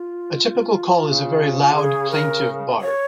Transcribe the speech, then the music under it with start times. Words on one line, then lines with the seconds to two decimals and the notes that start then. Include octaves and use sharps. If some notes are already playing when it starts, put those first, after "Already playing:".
A typical call is a very loud, plaintive bark.
Already playing: F4
1.04 C#3
1.75 G#4
2.11 A#4
2.81 C#5